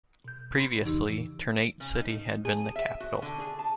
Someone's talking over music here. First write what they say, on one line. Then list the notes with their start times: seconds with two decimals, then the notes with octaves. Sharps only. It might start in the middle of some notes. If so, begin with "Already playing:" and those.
Previously, Ternate City had been the capital.
0.24 B2 G6
0.58 B5 C6
0.83 F2 C#3 E3 D#4 G4 E6
1.80 C#3
2.01 D#4
2.45 G#4
2.76 E5
3.00 F#4
3.22 D3
3.40 G#4
3.59 A5